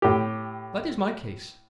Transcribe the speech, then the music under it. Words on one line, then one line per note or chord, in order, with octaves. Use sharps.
"That is my case."
A2 G4